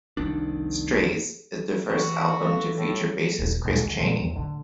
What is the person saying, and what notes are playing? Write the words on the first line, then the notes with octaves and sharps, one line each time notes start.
"Strays" is the first album to feature bassist Chris Chaney.
F1 C2 D#3 D4
E3 F#4 G5
F#3 A4 F5
A2 G3
D#1 D#3
D#1 B2 G#3
D2 F#3
F#2 A#2 D3 G#3
E2 C3
A2 D3